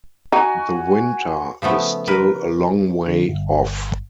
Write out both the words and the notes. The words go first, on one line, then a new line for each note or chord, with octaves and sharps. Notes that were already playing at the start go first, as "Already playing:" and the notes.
The Winter is still a long way off.
D#4 F#4 G#5
C#3 F3 A3 B3
A#4 B4
D3
G1